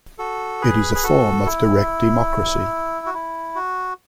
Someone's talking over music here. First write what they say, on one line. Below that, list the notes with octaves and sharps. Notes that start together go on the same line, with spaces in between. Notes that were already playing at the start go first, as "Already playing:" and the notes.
It is a form of direct democracy.
F#4 A4
G#4 B4
G#4
F#4 A4
E4
F#4
E4
F#4